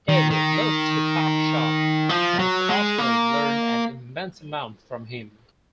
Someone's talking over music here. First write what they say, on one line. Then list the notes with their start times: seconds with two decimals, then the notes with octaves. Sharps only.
Ed loved to "talk shop" and Kosslyn learned an immense amount from him.
0.09 D#3
0.30 D#3
2.09 F3
2.39 F#3
2.69 G#3
2.98 A#3